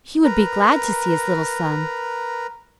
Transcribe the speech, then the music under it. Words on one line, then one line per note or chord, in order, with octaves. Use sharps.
He would be glad to see his little son.
A#4 B4 A#5